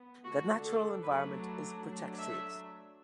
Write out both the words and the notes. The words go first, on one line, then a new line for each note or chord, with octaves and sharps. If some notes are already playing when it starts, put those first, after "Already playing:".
The natural environment is protected.
Already playing: B3
D3 A3 D4 F#4
A4
F#3 A3 D4 B4
F#3 A3 D4
E5